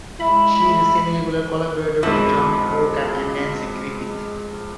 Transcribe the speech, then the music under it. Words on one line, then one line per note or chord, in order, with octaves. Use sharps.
She is a semi-regular collaborator with John Gorka and Nanci Griffith.
G#3 E4 E5 B5
F2 B2 E3 G#3